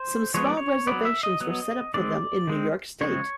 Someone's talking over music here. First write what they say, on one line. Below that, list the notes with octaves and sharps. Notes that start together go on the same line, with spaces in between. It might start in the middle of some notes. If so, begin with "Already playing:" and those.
Some small reservations were set up for them in New York state.
Already playing: C5
F3 G#3 B3 C#5
D5
C#5
F#3 B3 D5
E5
D#5
F#3 B3
D#3 G#3 C4 D5
D#3 G#3 C4
C#3 F3 G#3 C4 C#5